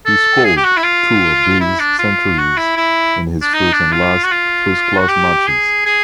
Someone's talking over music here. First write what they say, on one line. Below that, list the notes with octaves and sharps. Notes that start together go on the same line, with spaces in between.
He scored two of these centuries in his first and last first-class matches.
A4
G#4
G4
F#4
E4
F4
E4
D4
F4
F#4
E4
E4
D4
D#4
D4
F4
F#4
F4
F#4
G4
G#4
G#4